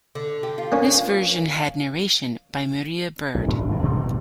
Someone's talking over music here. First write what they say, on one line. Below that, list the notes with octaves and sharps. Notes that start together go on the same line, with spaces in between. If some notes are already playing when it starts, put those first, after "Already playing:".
This version had narration by Maria Bird.
D3
G4
F4
A#3 C#4
B1 A2
G#2 D4
G1 D#2 G#2 B2
A1 G2 B2 G3